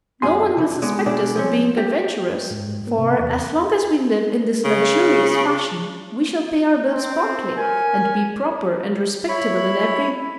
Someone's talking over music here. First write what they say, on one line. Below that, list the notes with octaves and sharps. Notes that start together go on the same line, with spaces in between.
No one will suspect us of being adventurers, for as long as we live in this luxurious fashion we shall pay our bills promptly and be proper and respectable in every way.
F#2 G#4 C6
C3 E3
G#3 B3 D5
B2 D4 E4 G#4 D5
F3 C4 C#4
G4
G#2
A#3
C3
E2
C#3
C4
C#4 A#4 G#5
E4 C#5 B5